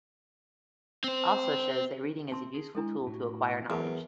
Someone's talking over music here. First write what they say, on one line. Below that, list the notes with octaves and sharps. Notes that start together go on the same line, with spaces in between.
Also shows that reading is a useful tool to acquire knowledge.
C4 C5
C4 A5 C6
G#4
G#3 D4 E4 A4
A2 F#4
E2 F#3 A#4 B4 G5 A5 A#5